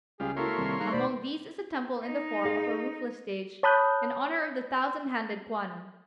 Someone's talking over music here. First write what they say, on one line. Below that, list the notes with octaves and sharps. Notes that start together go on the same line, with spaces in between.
Among these is a temple in the form of a roofless stage, in honour of the thousand-handed Kwannon.
C#2 G3 F4 G#4
A#3 E4 F#4 A4 A#4 C#5 E5 C6
C2 D#3 C7
G#2 G3 G#3 F5 A#5 F#6
D#2 B2 C5 D5 B5 D6
D#4
G#4 F5
C#5 A5 B5 D#6 F#6 G6